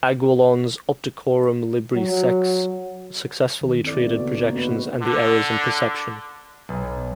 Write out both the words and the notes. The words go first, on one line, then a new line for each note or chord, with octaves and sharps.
Aguilon's "Opticorum libri sex" successfully treated projections and the errors in perception.
F#3
D#3
C4 E4 A4 D5
B3 F#4
C#3 A#3
A#3 D#4
B3 C#4 F#4 B4
D3
B1